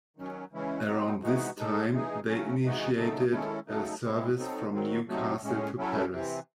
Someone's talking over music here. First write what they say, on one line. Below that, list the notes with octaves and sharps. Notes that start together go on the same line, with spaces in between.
Around this time they initiated a service from Newcastle to Paris.
D#3 F#3 C#4
C#3 E3 G#3 C#4 E4
F#3 C4 D#4
C3 E3 G#3 D#4 F#4
G#3 D#4 A4
E3 G#3 D#4 G#4
C#3 F#3 A3 C#4
C3 E3 G#3 D#4 F#4
C#3 F#3 A3 D#4 A4
D#3 G#3 C#4 E4 A4
C#3 F#3 A3 D#4 A4
G#3 C4 E4
F#3 C4 D#4 A4
D#3 F#3 C4
C3 F#3 A3 C4 D#4
A2 G#3 C#4
F#3 C#4 E4 A4
C3 E3 C4